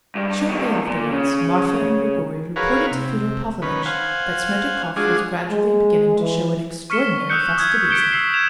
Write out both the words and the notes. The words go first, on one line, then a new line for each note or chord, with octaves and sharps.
Shortly afterwards Marfa and Grigory reported to Fyodor Pavlovitch that Smerdyakov was gradually beginning to show an extraordinary fastidiousness.
G2
B2 D#3
A#2
C#3
F#4 G#4 A#4 B4 C#5 F5
C3
D#3 C#4 B4
C5 F5 F#5 G#5
G#3 D4 F4 F#4 G#4
G#3
E3
C#6 F6 B6 C#7 E7 G7
D#6 E6 F#6 G6 C#7
D#6 G#6
G#6 B6 C#7 D7 E7 G7
E6 B6 C7 E7 G7
G#6 E7 F7